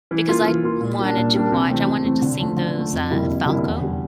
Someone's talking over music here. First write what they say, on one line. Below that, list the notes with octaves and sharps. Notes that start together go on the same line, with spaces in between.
because I'd wanted to watch, I wanted to sing those, uh, Falco
E3
A#3 F4
E3
A#3 F4
A#2
G3 A#3 D4
A#2
G3 A#3 D4
C3
E3 A3 C4
C3
E3 A3 C4
D3
F3 A3
D3
F3 A3
F2
D3 G3 A#3 E4
F2
D3 G3 A#3 E4
E2
D3 G3